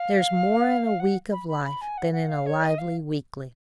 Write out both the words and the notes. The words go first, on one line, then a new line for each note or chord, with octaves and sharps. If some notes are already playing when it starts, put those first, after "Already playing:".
There's more in a week of life than in a lively weekly.
Already playing: F5
F#5
B5
B5
B5
G#5
F#5
F#5
F5
C#5
D#5
F5